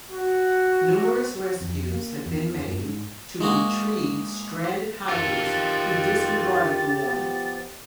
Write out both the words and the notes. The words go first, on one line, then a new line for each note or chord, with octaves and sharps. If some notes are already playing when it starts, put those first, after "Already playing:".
Numerous rescues have been made to retrieve stranded hikers who disregarded the warning.
F#4
F2
A#3
E2
G2
G#2
G#3 A#3 F#4 G#4
D#3 F4 G4 A4 A6
F3 B3